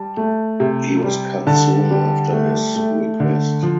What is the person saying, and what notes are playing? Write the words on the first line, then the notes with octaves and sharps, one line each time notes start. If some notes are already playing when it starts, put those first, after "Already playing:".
He was cut soon after his request.
Already playing: G3 A5
A3
C3
G3
D3 A5
G3
A3
A3
D3
F3